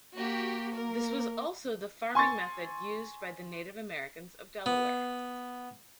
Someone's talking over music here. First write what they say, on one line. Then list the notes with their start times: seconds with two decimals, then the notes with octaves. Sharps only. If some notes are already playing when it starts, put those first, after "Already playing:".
This was also the farming method used by the Native Americans of Delaware.
0.17 A#3 F#4 G4
0.75 A#4
2.15 G#5 C6 C#6 A6
4.66 B3